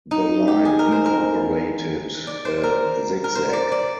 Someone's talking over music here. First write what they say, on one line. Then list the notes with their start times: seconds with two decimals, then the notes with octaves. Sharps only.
The line incorporated a zig zag.
0.11 D#4
0.48 G4
0.65 G#4
0.79 A#4
0.92 C5
1.06 A#4
2.27 D5
2.45 C5
2.63 A#4
3.24 A#4
3.35 C5
3.53 D5
3.72 D5